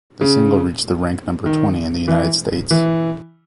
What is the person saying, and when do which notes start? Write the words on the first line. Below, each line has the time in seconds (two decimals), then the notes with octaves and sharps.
The single reached the rank number twenty in the United States.
0.21 C#3
1.46 D#3
2.08 E3
2.71 E3